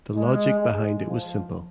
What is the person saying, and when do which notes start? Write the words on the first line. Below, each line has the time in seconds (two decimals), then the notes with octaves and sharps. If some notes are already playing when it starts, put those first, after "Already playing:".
The logic behind it was simple.
0.15 G#3
0.60 G#3
1.06 F3